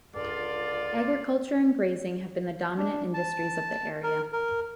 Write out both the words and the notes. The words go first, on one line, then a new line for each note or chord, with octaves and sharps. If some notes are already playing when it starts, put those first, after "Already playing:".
Agriculture and grazing have been the dominant industries of the area.
C#2 D3 F4 D5
D4
A5
A#4
A#4